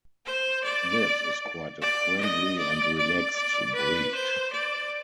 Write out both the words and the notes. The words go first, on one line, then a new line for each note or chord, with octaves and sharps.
This is quite a friendly and relaxed breed.
C5
D5
D5
D#5
D5
D5
D5
B4
C5
D5